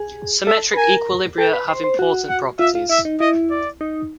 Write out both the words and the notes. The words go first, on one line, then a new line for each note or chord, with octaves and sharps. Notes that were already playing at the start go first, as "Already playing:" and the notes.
Symmetric equilibria have important properties.
Already playing: G#4
A4 E5
B4
A#4 G#5
A4 G5
B4
C5
C5
F#4
F#5
F4 E5
F4
E4 E5
D#4
E4 D#5
D5
D#4